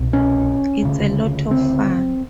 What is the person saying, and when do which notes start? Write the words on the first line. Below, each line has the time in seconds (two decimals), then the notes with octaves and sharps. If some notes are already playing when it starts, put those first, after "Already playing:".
It's a lot of fun.
Already playing: C2 B2
0.13 C#4
0.83 D2 C#3
1.51 C4